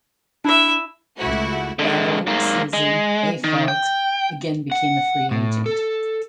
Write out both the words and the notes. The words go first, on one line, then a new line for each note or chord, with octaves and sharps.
Following the season, Affeldt again became a free agent.
D4 E4 E5
C#2 A3 E4 F#4
D3 G#3
G#2 A#3
G#3
D#3
G5
F#5
A2
A4